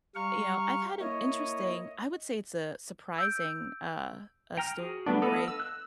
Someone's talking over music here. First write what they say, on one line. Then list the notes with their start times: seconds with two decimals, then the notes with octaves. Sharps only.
you know, I've had an interesting I would say it's a surprising, uh, uh, story.
0.15 G3 F5 A#5 C#6
1.00 A#3 E4 C#5 D#5
3.18 E6 G6 D7
4.57 G5 A#5 F6
4.78 F#4 G#4
5.06 F#3 G3 A3 B3 D4 D5
5.22 B3 A4 D#5 F5 B5
5.48 E6
5.60 F#6